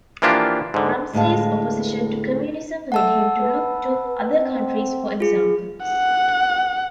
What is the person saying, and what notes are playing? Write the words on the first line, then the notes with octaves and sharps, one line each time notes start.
Ramsay's opposition to communism led him to look to other countries for examples.
E3 F3 A#3 D4 F4 G4
G#2 D3
D2 A2 G#3 F5 A5
A3 F#5 A5 E6
B4
C4
F4 G#4
F#5